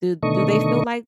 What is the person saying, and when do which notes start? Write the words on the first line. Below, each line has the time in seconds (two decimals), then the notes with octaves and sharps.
do do they feel like
0.23 B2 D3 D#3 A3 D#5 C#6